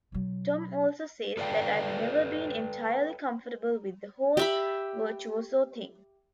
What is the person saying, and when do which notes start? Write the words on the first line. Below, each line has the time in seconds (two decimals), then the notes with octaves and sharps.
Tom also says that I've never been entirely comfortable with the whole virtuoso thing.
0.12 B2 F#3
1.37 A4 B4 D5 D#5 F5 G5
4.37 G4 E5 B5